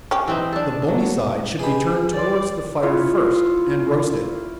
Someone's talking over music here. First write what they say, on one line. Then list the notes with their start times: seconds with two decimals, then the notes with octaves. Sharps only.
The bony side should be turned towards the fire first, and roasted.
0.11 C#4 G4
0.28 E3 C4 D#4
0.52 D4 A4
0.88 F#3
1.59 G4 G#4 B4 D#5 B5
2.13 B4 C#5 D5 C6
2.82 E4 F4 C#5